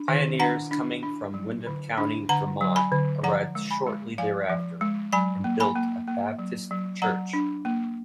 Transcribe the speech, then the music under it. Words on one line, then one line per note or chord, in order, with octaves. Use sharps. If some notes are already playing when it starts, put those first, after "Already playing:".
Pioneers coming from Windham County, Vermont arrived shortly thereafter and built a Baptist church.
Already playing: D4
D#3
D4 F#5 A#5
D4
D4
F#3
D3
D4
D3 F#5 A#5
F#3
G#5 B5
D3
F3 F#5 A#5
G#3
G#5 B5
G#3
F3 F5 G#5
F3
G#3
F#3 G#5 B5
A#3
G#5 B5
A#3
A#3
F#3
F#3
F#3 F#5 A#5
D4
A#3